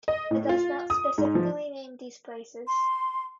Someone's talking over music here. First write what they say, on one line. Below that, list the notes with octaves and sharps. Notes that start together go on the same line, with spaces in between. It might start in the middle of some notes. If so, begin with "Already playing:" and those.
It does not specifically name these places.
D#5
A2
F4
D#6
G#2
F3
C6